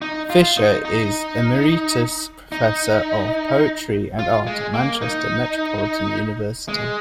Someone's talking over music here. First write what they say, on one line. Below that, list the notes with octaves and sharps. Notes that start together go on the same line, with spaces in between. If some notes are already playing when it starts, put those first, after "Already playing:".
Fisher is Emeritus Professor of Poetry and Art at Manchester Metropolitan University.
D#4
F4
D#4
D#4
D#4
F4
G#3
A#3
D#4
G#3